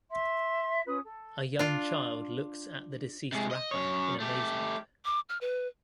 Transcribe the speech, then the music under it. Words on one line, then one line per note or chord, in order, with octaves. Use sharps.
A young child looks at the deceased rapper in amazement.
E5 C6
C#4 F4 B4 D#6
A4
D4 F4
C3 G#3
D#5
F#2 C#5
A3 G4
D6
F6
B4